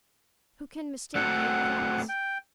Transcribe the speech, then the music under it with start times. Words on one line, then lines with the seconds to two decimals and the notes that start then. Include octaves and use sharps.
"Who can mistake great thoughts?"
1.15 A3 C4 F#4 F#5
2.09 G5